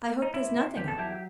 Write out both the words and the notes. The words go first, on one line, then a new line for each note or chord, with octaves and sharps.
I hope there's nothing up.
D#4
C3 E4
C3
E2 G4
A4
F#3 E4 G4
G4